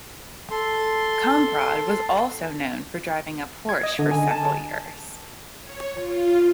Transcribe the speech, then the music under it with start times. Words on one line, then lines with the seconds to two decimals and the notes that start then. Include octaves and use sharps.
Kamprad was also known for driving a Porsche for several years.
0.51 A4 C6
3.69 G#6
3.83 D#5
3.99 D3
4.11 G#5
4.31 A5
5.61 C#5
5.95 F4